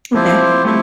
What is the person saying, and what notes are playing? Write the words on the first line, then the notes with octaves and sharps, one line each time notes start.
Okay, yep.
F3 C4 E4 G4 C5
A3 C4 E4 G4